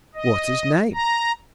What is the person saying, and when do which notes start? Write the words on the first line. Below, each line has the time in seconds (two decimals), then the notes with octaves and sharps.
"What's his name!"
0.15 D#5
0.93 A#5